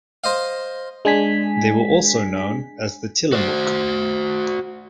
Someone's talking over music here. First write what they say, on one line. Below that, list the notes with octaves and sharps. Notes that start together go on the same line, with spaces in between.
They were also known as the Tillamook.
C5 D#5 F5
G#3 D4 G#5 B6
F#4 C5